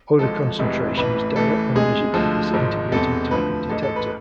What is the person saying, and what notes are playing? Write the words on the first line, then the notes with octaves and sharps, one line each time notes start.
Odor concentration is directly measured with this integrating type of detector.
G#1 G#2 F3 G#3 A4
F1 F2 C3 E3 G#3
A1 A2 E3 B4
A1 A2 E3 A4
D2 C3 G#3 G#4
D2 D3 F3 G#3
G#1 G#2 F3 G#3
E1 E2 C3 G#3 A4
D2 D3 F3 B4
A1 G#2 G#3 A4
A4
B4